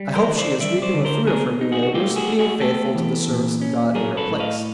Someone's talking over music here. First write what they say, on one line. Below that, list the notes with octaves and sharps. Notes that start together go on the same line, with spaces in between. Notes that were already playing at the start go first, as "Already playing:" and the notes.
I hope she is reaping the fruit of her good labors, being faithful to the service of God in her place.
Already playing: G3
A#4 C5
D#3
C5 D5
G3 D5 E5
C5 D5
D3
A#4 C5
B3 G#4 A#4
D#4
F#4 G#4
F#4
A3 F4 G4
F#4 G#4
A3
F#4 G#4
B3 G4 A4
E3
A#2
C#4
F#3 G#4 A#4
A4 B4
A2
D#5 F5